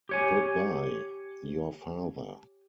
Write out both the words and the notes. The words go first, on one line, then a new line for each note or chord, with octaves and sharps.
Goodbye, Your Father.
G4 C#5 G#5